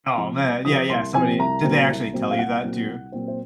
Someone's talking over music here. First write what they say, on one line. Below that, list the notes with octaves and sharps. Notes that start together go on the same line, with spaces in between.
Oh, man, yeah, yeah, somebody did they actually tell you that, too?
C3 F3 C4
C2
C3 F3 C4 D#6
C2 C6
C3 F3 C4 G#5
C2 A#5
A#2 F#3 C4
C2
A#2 F#3 C4
F5
C2 F#5
A#2 F#3 C4
C2
A#2 F#3 C4
C5